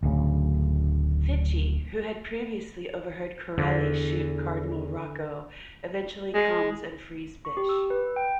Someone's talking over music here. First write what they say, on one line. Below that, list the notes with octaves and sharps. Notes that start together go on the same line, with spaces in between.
Fitchie who had previously overheard Corelli shoot Cardinal Rocco eventually comes and frees Bish.
D1 D2 C#3
E2 D3
G#3
C#6
G4
E6
B4
G5